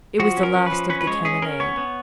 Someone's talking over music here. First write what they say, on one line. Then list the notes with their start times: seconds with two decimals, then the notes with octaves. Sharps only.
It was the last of the cannonade.
0.20 F3 F#4
0.37 C#4
0.43 A#4
0.55 C#4
0.66 B4
0.72 F3
0.89 C#4 B4
1.01 B4
1.07 G#3 C#5
1.25 C#4 G#4
1.42 C#4 A#4
1.60 B3 C#5
1.77 B3